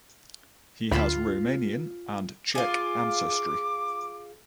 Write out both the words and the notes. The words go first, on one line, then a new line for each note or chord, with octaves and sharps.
He has Romanian and Czech ancestry.
D2 F4 B5 E7
F4 G#4 D6